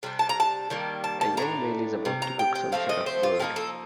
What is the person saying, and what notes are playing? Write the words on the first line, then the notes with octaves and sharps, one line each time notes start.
A young male is about to cook some sort of bird.
C3 G3 D4
A5
A#5
A5
D#3 G3 A#3
A5
A5
A2 A3 D4 A#5
C3 G3
A#5
G5
G5
F3 A3 C4 F5
D#5
C5
F4
F3 A#3 D#4 G4
A4